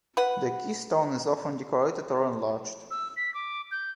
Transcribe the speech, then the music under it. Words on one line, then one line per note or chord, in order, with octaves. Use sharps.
The keystone is often decorated or enlarged.
B4 F#5
E6
B6
D6
G6